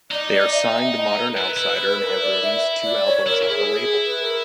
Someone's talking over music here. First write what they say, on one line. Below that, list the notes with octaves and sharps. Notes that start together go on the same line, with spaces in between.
They are signed to Modern Outsider and have released two albums on the label.
D#4 D5
D5
E5
G#5
E5
D#5
B4
A#4
B4
E4
E4
B4
A#4
D5
E5
D5
C#5
E4 A#4
E4
G#4
G#4
B4
A#4